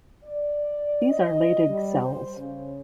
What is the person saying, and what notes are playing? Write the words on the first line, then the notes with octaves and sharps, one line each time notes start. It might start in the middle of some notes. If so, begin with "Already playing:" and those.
These are Leydig cells.
D5
D#5
G3
C5
C#3